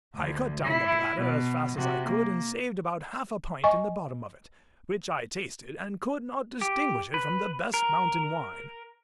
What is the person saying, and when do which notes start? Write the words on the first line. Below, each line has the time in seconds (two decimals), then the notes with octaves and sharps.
I cut down the bladder as fast as I could, and saved about half a pint in the bottom of it, which I tasted, and could not distinguish it from the best mountain wine.
0.15 D2
0.64 E4
1.21 B2
1.78 C3 F#4
2.08 A#3
3.64 D#5 G#5 C#6
6.61 G4
7.14 B4
7.74 A#4